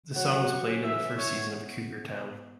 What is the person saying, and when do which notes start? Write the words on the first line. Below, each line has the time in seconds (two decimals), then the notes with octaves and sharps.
The song was played in the first season of "Cougar Town".
0.16 F#3 F#5
0.33 F#3
0.49 G4
0.67 C#4
0.83 E3 E5
1.00 E3
1.18 E4 C#5
1.35 B3